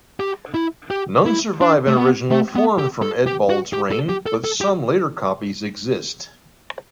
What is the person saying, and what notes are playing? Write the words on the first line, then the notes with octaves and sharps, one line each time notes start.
None survive in original form from Eadbald's reign, but some later copies exist.
G4
E4
G4
E4
D4
A3
B3
A3
B3
G4
A4
G4
F#4
G4
A4
G4
A4
A4
G4